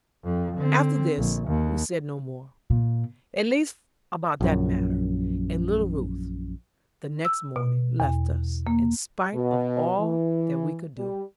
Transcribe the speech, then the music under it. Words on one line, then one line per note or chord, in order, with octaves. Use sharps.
After this, we said no more, at least about that matter; and little Ruth, the next morning, left us, in spite of all that we could do.
F2
D3 C4
A#1
D#2
A#2
A#1 F#2
E6
B2
E2
A#3
B2
E3
G3